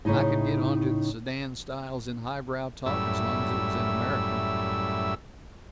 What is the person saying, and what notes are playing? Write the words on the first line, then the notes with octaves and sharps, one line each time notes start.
I could get onto the sedan styles in highbrow talk as long as it was in American.
A2 C#3 D#4 E4 D#5
F#2 A2 G3 E5 E6